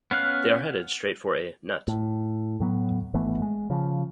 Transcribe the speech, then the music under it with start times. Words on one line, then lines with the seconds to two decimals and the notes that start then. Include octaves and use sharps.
They are headed straight for a "net".
0.11 B3 C#4 F5 F#6
1.88 A2
2.60 A2 F#3 B3
3.14 G#1 E3 A3 B3
3.42 G#3
3.70 C#3 F3